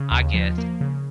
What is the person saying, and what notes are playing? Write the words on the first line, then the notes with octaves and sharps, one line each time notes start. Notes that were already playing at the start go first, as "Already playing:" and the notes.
I guess.
Already playing: C#3
D#2
F3
A#3
C#3